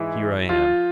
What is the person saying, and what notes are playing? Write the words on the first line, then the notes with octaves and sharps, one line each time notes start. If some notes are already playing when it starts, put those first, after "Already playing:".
Here I am.
Already playing: G#2 E3 G#3 E4
F3 F4